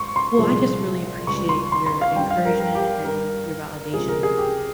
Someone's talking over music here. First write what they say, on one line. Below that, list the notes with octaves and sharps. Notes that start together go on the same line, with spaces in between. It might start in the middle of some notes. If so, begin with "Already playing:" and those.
Well, I just really appreciate your encouragement and your validation.
Already playing: G#2 C6 C#6
C6
C2 A#2 F3 G#3
C#2 C#3 G3 C#6
C6
C6
C6
F5
G2 G3 G5
F5
A#4
A#4
G4
G2 G3 A#4
C#2 C3 F3 G#4
A#4
G#4
G4